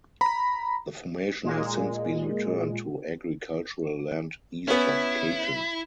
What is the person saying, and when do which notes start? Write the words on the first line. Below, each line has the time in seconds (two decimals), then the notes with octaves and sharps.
The formation has since been returned to agricultural land east of Caton.
0.21 A#5 B5
1.44 A#2 G#3
4.68 B3 C#4 E4